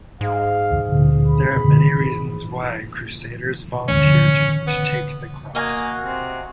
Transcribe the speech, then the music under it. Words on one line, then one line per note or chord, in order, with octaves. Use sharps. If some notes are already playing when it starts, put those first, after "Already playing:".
There are many reasons why crusaders volunteered to "take the cross".
G#2 G#4 F5
B5
D#2 E3 G#3 C#4
F3 F#3
D#3
B3
A#3 F#4 D#5 F5 G#5
C3